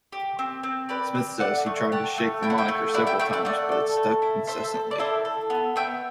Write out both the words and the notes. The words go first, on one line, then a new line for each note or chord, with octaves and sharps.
Smith says he tried to shake the moniker several times, but it stuck incessantly.
G4
C4
C4
G4 B4 D5
C4
A3 D5 F#5
A3
G4 F#5 A5
A3
E4 G5
F#5
E5 G5
A3
E4 D5 F#5
E5 G5
A3 E5 G5
D5 F#5
A3 D5 F#5
A4
A3
E4
A4 C5 E5
A4
D5
E4 A4 C5
A4
B3
B3 E5 G5